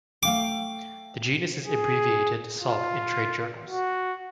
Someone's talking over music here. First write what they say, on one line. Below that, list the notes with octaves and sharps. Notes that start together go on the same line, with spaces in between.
The genus is abbreviated Sob in trade journals.
A3 F5 G5 D6
G#4
F4
F#4